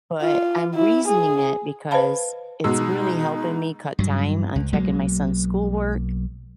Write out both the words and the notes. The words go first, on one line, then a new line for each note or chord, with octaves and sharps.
but I'm reasoning it because it's really helping me cut time on checking my son's schoolwork.
F4
E4
G#4
B4 C5 D#5 F5 A5 B5
B2 G#3 D#4 E6
G2 F#3
C#2
B1 F#3 G#3 A#3